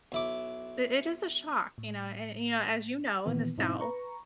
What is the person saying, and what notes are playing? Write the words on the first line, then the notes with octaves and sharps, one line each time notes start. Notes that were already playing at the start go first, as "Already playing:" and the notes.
it is a shock, you know, an and, you know, as you know, in the South,
B1 E4 D6
A2
A#2 D#3 E3 B3
G#2 B2 C4 D#4 E4
B4 A#5 C#6